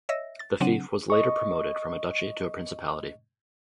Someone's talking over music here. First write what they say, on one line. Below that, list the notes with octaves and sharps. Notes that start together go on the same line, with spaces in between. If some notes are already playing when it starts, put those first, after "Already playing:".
The fief was later promoted from a duchy to a principality.
C#5 D#5 E5 E6 A#6
A6
C#3 F#3 C4 D4 F#5 D#7
D#5 C#6